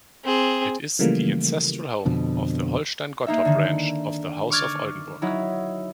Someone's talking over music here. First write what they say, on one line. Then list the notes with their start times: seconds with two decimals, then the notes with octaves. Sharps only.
It is the ancestral home of the Holstein-Gottorp branch of the House of Oldenburg.
0.24 C4 G#4
0.99 C#3 E3 F3 G3 A3 A#3
2.05 F2 B2 D3
3.27 A#3 D#4 E5
3.45 D3 D#3
4.50 C#6 D6 F6 G#6 A6
5.22 F#3 D#4 E4